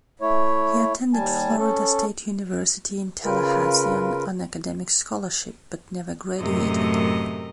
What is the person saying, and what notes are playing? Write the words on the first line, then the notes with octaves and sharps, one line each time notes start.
He attended Florida State University in Tallahassee on an academic scholarship, but never graduated.
A3 E4 C#5
D#2 G3 G#5 A5
C#4 A4
C#3 F4 A#4 B4
F#2 A2 C3 A3 A#4 D#5